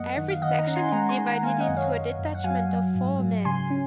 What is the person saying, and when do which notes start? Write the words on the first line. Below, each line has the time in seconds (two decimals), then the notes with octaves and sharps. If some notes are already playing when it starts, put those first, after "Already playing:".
Every section is divided into a detachment of four men.
Already playing: F#2 A#3 D#5 F#5
0.17 D#3
0.30 F5
0.42 D#3 D#5 F#5
0.59 F#5 A#5
0.67 C#4
0.75 G#5 C6
0.92 G#3 F#5 A#5
1.09 G#5 C6
1.18 D#3
1.26 F#5 A#5
1.43 A#3 F5 G#5
1.60 D#5 F#5
1.68 F#2
1.77 C#5 F5
1.93 F#2
2.19 F#2
2.34 F#5
2.44 F#3 F5 G#5
2.69 F#3
2.95 G#2
3.20 F#3
3.45 C#3 G#5 C6
3.70 C#4